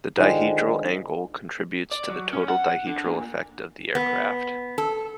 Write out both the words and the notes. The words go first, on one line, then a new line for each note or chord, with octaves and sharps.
The dihedral angle contributes to the total dihedral effect of the aircraft.
D3 D#3 F3 G#3
D5
F#3
C#4
F#5
D3
A#2
B3
A4